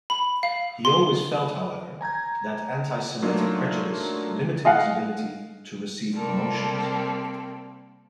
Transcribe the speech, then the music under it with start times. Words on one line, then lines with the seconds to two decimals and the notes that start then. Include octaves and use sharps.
He always felt, however, that anti-Semitic prejudice limited his ability to receive promotions.
0.10 B5
0.43 F5
0.85 C6
2.01 G#5 A#5 G6 G#6
3.22 F#3 A3 A#3 D4 D#4 F4
4.65 D#5 F5 F#5
6.11 C3 G3 A#3 C4 A4